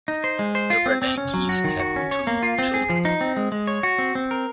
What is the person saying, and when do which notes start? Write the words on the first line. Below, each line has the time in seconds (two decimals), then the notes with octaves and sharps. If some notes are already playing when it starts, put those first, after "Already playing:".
The Bernankes have two children.
0.08 D#4
0.24 C5
0.39 G#3
0.55 C5
0.70 F4
0.86 C4
1.02 C4
1.18 C#4
1.34 F#3
1.49 F#4
1.64 D#3
1.80 F#4
1.96 C#4
2.11 C#5
2.27 A#3
2.43 F4
2.59 C4
2.74 G#4
2.90 F3
3.05 D#4
3.21 C4
3.37 G#3
3.52 G#3
3.67 C#5
3.83 F#4
3.98 C4
4.15 C4
4.31 A#4